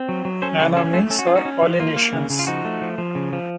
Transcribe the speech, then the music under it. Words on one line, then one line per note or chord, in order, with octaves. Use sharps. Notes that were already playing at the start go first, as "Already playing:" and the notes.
Nanumeans are Polynesians.
Already playing: C4
F#3
F#3
C#4 A4 C5
C#3 F4 A4
C#4 F4 A4
A3 F4 A4
C#4 A4
F#4
C#4 F4
D#4 F#4
C#4
F3
A#3 F4
A#3
C#3
C#3
F4
F3 D#4 F#4
A3
F3
F3
C#3
F3